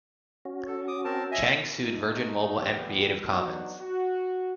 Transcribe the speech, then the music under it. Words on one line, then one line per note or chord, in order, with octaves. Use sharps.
Chang sued Virgin Mobile and Creative Commons.
C#4 F#4
A4
D6 D#6
C4 A#4 A5
D#5 E5 G#5
A3 D#4
G2 A#2 D3 E3 B3 G4
F#3 B3 D4 D#4 F#4
F#4